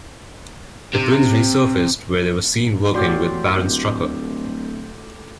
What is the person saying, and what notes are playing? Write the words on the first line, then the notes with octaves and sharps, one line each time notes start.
The twins resurfaced, where they were seen working with Baron Strucker.
C3
A2 F#4 G4 D5 C6
D1